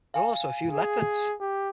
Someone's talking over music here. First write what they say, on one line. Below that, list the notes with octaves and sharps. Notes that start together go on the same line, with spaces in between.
There are also a few leopards.
F5 G#5
G#4
G4